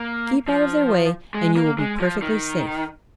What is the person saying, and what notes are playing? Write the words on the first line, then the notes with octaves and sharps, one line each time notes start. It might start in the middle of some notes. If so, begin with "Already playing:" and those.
Keep out of their way and you will be perfectly safe.
Already playing: A#3
F3
G#3
A#3
G#3
F3
D#3